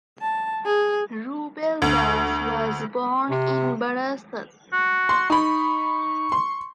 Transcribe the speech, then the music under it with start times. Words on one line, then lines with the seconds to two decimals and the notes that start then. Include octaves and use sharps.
Rubel Das was born in Barasat.
0.22 A5
0.65 G#4
1.82 D2
3.30 C3
4.73 F#4
5.09 C6
5.30 D#4 B5 C#6
6.32 C6